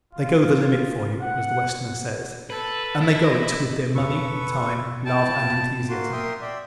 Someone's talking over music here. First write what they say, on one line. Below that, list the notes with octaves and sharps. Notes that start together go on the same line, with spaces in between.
They "go the limit" for you, as the Westerner says, and they go it with their money, time, love and enthusiasm.
F4
F#5
A4 B4
E4
D#5
F2 B2 A4 B4 C#6
E4 G5 A5
A#3 F#4 C6
A#4 E5 G5 C6 D#6
D5 E5 G5